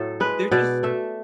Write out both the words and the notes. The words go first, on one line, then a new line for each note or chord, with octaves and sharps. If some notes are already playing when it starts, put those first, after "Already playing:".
They're just
Already playing: A2 F#3 A3 A4
G#3 B4
B2 D5
A3 E5